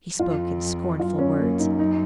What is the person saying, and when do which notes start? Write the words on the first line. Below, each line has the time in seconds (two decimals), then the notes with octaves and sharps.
He spoke in scornful words.
0.19 F2 F4
0.99 F#2 F4
1.18 C#4
1.40 A#3
1.59 D#4
1.79 D#4